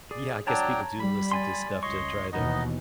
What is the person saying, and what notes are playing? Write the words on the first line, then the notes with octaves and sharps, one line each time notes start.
Yeah, I guess people do listen to stuff to try to,
G#4 D5
F#3 D4 C#5 G5 A5 A#5
G3 B5
D5 G#5 C6
C#2 C#5 D#5 C6 C#6
D#2 B2 E3 B3 D#4 D#5